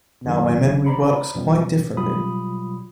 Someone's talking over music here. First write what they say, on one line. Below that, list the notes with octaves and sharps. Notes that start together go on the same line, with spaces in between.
Now my memory works quite differently.
F#2 D3 D#3 F#3
C5 D5 A#5 B5
F2 B2 F3 G3 B3 C#4
B2 F#3 G3 F4 B5 D#6